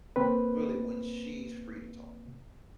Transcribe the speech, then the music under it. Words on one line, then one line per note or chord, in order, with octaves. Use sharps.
really, when she's free to talk.
A#3 C4 B4